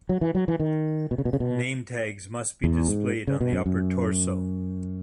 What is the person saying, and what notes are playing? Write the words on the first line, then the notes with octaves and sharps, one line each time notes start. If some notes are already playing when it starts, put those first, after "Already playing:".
Name tags must be displayed on the upper torso.
F#3
E3
F#3
E3
D#3
B2
C#3
B2
C#3
B2
E2
G#2
C#3
B2
F#2
F#2